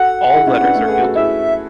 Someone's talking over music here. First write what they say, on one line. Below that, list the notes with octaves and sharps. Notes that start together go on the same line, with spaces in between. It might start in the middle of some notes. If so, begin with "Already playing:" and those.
All letters are gilded.
Already playing: F#4 A4 F#5
E4 G#4
C#4 E4
B3 D4
A3 C#4
A4
G#4 B4
F#4 A4
E4 G#4 E5